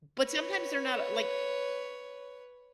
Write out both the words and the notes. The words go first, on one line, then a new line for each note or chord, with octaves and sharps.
But sometimes they're not, uh, like
B4 C#5